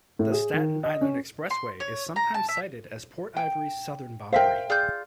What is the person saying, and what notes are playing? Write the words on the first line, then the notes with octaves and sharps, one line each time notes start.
The Staten Island Expressway is sometimes cited as Port Ivory's southern boundary.
A2
G#4
D#3
D#5
C#4
C6
C#5
A#5
A5
E5
G5
A#4 C5 E5 F5 G5
F4 G#4 D5 G6